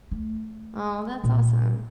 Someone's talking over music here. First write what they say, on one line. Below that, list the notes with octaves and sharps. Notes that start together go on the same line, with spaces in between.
Aw, that's awesome.
A3
A#2